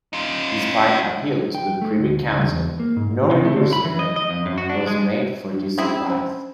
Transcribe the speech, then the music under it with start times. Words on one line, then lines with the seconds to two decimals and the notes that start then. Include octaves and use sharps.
Despite appeals to the Privy Council no reimbursement was made for these supplies.
0.13 D#4 F4
1.55 G5
1.82 A3
1.99 D2
2.24 C#2
2.43 E2
2.79 A#3
2.96 G#2
3.31 C3
3.45 A3
3.57 D3
3.73 B5
3.85 E3
3.99 D#5
4.16 D#5
4.30 F2
4.46 F#2
4.58 F#4
4.69 D4
4.87 G#3
5.51 D4
5.78 C4 C#4 E4 G#4
6.07 C#4 C5